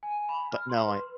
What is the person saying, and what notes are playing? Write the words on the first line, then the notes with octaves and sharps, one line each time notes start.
but no, I
G#5
B5
F6
C6
B4